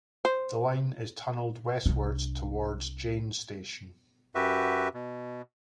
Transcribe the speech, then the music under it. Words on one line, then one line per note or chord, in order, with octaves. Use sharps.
The line is tunneled westward toward Jane Station.
C5
C2 D4
F#2 F#4 G4 B4 E5
B2